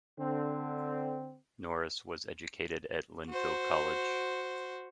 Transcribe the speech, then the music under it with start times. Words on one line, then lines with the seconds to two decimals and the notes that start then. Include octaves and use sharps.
Norris was educated at Lynfield College.
0.19 D3 C4
3.30 F#4 C5